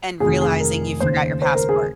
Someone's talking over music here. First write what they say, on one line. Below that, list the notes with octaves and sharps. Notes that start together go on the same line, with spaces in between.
and realizing you forgot your passport."
F1 F2 D#3 G#4
G#4
A#4
D#2 C#3 C5
C5
A#4
G#4